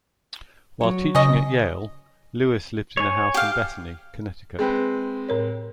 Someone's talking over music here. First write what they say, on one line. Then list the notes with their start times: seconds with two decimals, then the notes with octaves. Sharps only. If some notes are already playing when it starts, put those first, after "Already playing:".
While teaching at Yale, Lewis lived in a house in Bethany, Connecticut.
0.81 F#3 C#5
1.15 C#3 C#4 D#5
2.97 C#5 G#5
3.34 G4 F5
4.59 G#3 C4 B4
5.29 A2 A#4 C#5